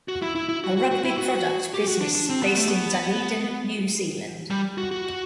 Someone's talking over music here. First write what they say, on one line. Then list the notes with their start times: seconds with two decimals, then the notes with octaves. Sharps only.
A rugby product business based in Dunedin, New Zealand.
0.08 F#4
0.22 E4
0.35 E4
0.49 E4
0.64 F#4
0.77 F#4
0.91 F#4
1.04 E4
1.18 F#4
1.74 G4
1.88 F#4
2.01 D4
2.15 D4
2.30 C4
2.43 B3
2.55 A3
2.68 B3
4.51 G3
4.78 F#4
4.91 F#4